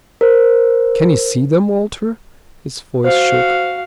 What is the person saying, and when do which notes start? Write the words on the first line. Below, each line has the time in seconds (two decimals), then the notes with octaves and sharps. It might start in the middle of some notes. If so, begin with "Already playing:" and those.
"Can you see them, Walter?" His voice shook.
0.21 A#4 C5
3.04 F#4 C5 F5